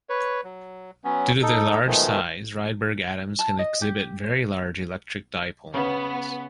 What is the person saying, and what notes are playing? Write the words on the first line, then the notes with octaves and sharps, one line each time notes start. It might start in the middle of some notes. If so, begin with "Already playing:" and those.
Due to their large size, Rydberg atoms can exhibit very large electric dipole moments.
B4 C#5
F#3
F#3 B3 C#4
D#4 A4
B2 D#3 F3 G#3 A3
A5
D#5
G4
C5
C#3 B3